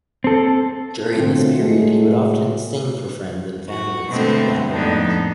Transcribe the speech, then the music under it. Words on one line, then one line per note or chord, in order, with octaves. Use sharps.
During this period, he would often sing for friends and family at social gatherings.
C4 A4
B2 D3 F3 F#3 A3 C4
A2 F#3 G#3 A3
F#4
B2 D3 G#3 A3 B3 C4
F2 A2 G#3 B3 D4 D#4